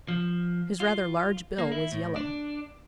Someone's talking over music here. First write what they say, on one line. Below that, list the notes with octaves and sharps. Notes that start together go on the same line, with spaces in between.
His rather large bill was yellow.
F3
F4
A#3
E4
A2
D4